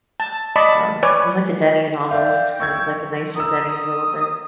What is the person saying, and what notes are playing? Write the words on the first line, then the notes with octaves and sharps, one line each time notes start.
Um, it was like a Denny's almost, kind of like a nicer Denny's a little bit
A5
D5 D#5 A5 B5 C#6
B4 C#5 D5 G#5
D5 E5 F5 G5
C#6 E6 G#6
A#5 D#6 E6
D#6